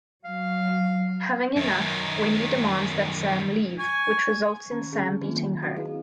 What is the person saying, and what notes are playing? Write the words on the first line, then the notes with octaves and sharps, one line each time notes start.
Having enough, Wendy demands that Sam leave, which results In Sam beating her.
F#3 F5
F#2 D#3
G#5 C#6
D#3 C#4 A#5
D3 G#3 C4 C#4 G#4
D#3 F#3 A#3 F4
F#3
C4 F#4
E4 G#4 B4 D#5 F5